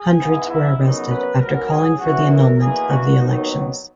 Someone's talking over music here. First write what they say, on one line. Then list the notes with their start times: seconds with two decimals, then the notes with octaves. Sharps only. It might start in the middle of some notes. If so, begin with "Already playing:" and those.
Hundreds were arrested after calling for the annulment of the elections.
Already playing: G#4
0.18 G#2 E3 B3
0.48 E4
0.78 F#2 C#3 F#3 B3 D#4
1.08 B4
1.38 G#2 F#3 B3 A#4
1.67 G#4
1.98 E2 C#3 E3 F#4
2.28 A#4
2.58 E2 B2 A#3 G#4
2.88 F#4
3.18 D#2 D#3 F#3 B3 D#4